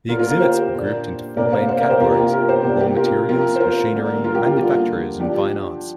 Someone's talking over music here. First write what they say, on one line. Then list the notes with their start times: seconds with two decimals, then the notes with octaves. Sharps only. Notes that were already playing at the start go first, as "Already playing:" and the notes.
The exhibits were grouped into four main categories-Raw Materials, Machinery, Manufacturers and Fine Arts.
0.09 D3 A#3 D4 F4 A#4
0.19 F4 A#4
0.30 F4 A#4
0.40 G4 C5
0.73 A#2 A#3 D4
1.36 C3 A#3 D4 A#4 D5
1.52 C5 F5
1.69 C5 F5
1.79 A#4 D5
1.89 G4 C5
2.00 C3 A#3 D4 F4 A#4
2.16 G4
2.32 F4 A#4
2.49 G4 C5
2.64 C3 A#3 D4 G4
2.80 G4
2.96 F4 A#4
3.28 F3 C4 F4 A#4
3.56 C5
3.60 F4 A#4
3.93 D3 G3 A#3 D4
4.24 F4 A#4
4.35 G4
4.46 F4
4.56 D3 G3 A#3 F4
5.20 F3 D4 G4